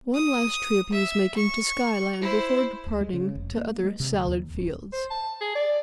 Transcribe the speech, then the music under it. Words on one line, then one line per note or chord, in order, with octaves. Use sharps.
One last trip he was making to Skyland before departing to other salad fields.
D#6
E5
C#6
E4 C5
D2
G#3
C#3
F1
A#3
G#3
C3
D2
D#2
D1
C5
A5
G#4
D5